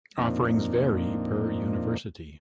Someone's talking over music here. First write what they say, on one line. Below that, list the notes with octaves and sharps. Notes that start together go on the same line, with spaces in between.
Offerings vary per university.
F2 A#2 A#3 C4 D4 D#4